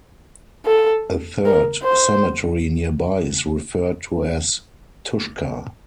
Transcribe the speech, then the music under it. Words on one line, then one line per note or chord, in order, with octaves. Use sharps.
A third cemetery nearby is referred to as Tushka.
A4
A#4
C5